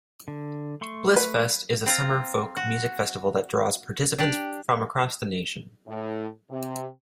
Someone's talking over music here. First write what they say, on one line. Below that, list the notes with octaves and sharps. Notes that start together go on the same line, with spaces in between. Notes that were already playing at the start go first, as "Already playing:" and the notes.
Blissfest is a summer folk music festival that draws participants from across the nation.
D3
A3 C6 C#6
B4
C4 F4 A#5
F#4
D4 G4 D5
A2
C3